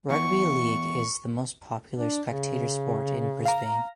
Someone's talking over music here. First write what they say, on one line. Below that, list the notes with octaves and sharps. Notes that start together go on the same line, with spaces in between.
Rugby league is the most popular spectator sport in Brisbane.
E2 C#6
D4
C#3
F5 A#5